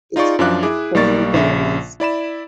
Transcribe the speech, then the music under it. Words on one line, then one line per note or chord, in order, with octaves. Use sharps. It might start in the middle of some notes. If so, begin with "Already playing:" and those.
Its graphic form varies.
D#4 F4 G#4 D5 C#6
F#2 F3 D4 F5 D6 F#6
E4 G#4 D6
B1 G3 A#3 D5 C#6 A6
A#1 C#3 E5
E4 D5 B5 E7